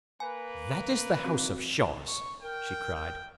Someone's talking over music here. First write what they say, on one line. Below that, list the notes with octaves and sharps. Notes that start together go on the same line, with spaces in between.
"That is the house of Shaws!" she cried.
A#3 B4 G#5
C4 F#4
C#6
A#4 G5
G5